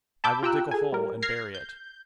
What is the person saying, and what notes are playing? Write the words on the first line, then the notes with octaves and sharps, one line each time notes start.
I will dig a hole and bury it.
A5 B5 D6 E6 G6
F4 G4 G5 A#5 E6 F#6
G#4 A4 G#5
G3 A#4
F6 G#6 A#6 C7
G6